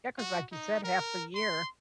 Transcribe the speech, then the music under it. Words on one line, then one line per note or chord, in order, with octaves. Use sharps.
Yeah, 'cause like you said, half the year,
F#4
D#4
A#4
C6